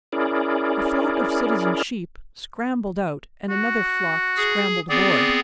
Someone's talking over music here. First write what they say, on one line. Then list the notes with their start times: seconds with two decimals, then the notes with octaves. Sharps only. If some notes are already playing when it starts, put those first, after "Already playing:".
A flock of citizen sheep scrambled out and another flock scrambled aboard.
0.12 C#4 E4 G#4 A#4 D5
3.49 F#4
4.37 G#4
4.89 B3 C4 G#4 D5